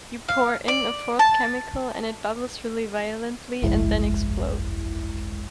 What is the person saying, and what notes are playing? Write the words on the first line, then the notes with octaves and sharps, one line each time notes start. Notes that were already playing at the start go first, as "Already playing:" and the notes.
You pour in a fourth chemical, and it bubbles really violently, and then explodes.
F5
D5
A5
G1 C2 F2 G#3 E4